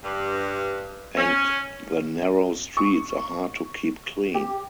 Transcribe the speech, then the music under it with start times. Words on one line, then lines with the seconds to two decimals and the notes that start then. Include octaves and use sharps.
And the narrow streets are hard to keep clean.
0.03 G2
1.16 C#4
2.77 C#6
4.34 G4